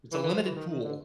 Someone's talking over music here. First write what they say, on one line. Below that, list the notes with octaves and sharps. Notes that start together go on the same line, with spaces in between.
It's a limited pool.
E3
E3
F3
E3
D#3
D#3
D3